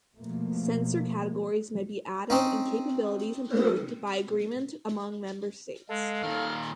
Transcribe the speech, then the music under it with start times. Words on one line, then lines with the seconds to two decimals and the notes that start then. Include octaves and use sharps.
Sensor categories may be added and capabilities improved by agreement among member states.
0.17 B2 F3 A3 A#3
2.30 C4 C#4 D#4
5.89 G#3 A4 F5
6.23 A#2 D#3 F6